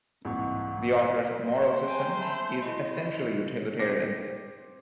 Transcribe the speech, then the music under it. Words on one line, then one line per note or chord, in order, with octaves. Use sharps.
The author's moral system, is essentially utilitarian.
C2 G#2 E3 A#3 F#5 C#6
B4 D5
C5
G5 G#5 A#5
E5 A5 B5
E4 F#4 D#5
C4 D6 A#6